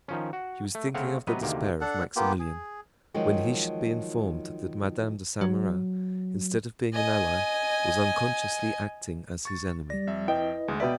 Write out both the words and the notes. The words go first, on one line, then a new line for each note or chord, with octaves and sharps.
She was thinking of the despair of Maximilian, when he should be informed that Madame de Saint-Meran, instead of being an ally, was unconsciously acting as his enemy.
D#3 F3 C#4
F#4
A3
C#3 A3 C4 C#5 F5 F#5
C3 F#3 B3 B4 D#5
D2 C3 D#3 A#3
D4 A4 F#5
A#3 B3 F4 G4
G#4
D#3 F3 F#3 G#3
F#3
D#5 G#5
C#6 A6
G3 D5 A#6
F2 E5
E4 B4 D#5 G5
D2 G#3
B2 B4 D5 E5 G5